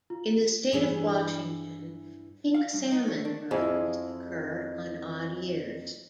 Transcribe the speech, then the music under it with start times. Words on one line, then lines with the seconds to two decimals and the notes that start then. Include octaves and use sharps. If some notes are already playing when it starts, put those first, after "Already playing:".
In the state of Washington, Pink salmon runs occur on odd years.
0.10 F4
0.72 G2 E3 G#4
2.55 F5
2.73 G2
2.92 D#4
3.08 A3
3.25 D4
3.51 F2 E4 F4 G#4